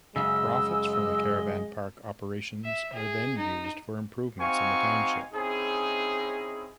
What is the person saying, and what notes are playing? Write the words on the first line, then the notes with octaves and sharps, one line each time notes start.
Profits from the caravan park operations are then used for improvements in the township.
F#2 C#3 G#3 D#5 E6
E5
G#4
D#4
C4 D#4 F#4 F5 G#5 C#6
C4 C#4 D#4 E4 G#4